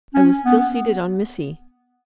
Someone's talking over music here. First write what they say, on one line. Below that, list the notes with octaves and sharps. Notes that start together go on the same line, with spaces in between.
I was still seated on Missy.
C#4
B3